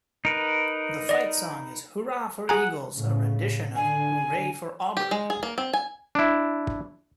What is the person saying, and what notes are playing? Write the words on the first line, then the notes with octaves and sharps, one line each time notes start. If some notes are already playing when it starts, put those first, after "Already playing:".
The fight song is Hoorah for Eagles a rendition of Hooray for Auburn!!
D#4 A#4 B4
D5 D#5
G#4 F#5 G#5 A#5
A2 C#3
D3 G#5
G4
G#3
G#4
A#3
C4
G#5
D4 E4